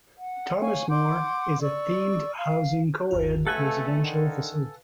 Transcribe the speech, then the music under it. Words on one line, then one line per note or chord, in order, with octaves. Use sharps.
Thomas More is a themed housing co-ed residential facility.
F#5
C#5 F5 G#5 C#6
F#5 C6 D6 G6
D5 C#6 E6
F5
G1 D#2 F4
B1 A3 A4 B4 F5 F#5 G#5
D3 D#3